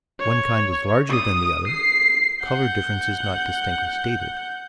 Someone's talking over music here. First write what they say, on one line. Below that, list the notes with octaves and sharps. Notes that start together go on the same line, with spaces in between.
One kind was larger than the other: color-differences not distinctly stated.
C#5
D#6
C7
F#5 G6